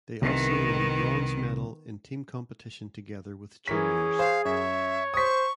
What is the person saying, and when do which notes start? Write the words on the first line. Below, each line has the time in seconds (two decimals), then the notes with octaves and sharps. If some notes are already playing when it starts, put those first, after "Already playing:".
They also won bronze medal in Team competition together with juniors.
0.22 C2 D#3 B3
3.67 E3 C#4 G#4 A#4 B6
4.19 C5 F5
4.45 F#2 C#5 E5
5.14 C5 C#6 D#6 B6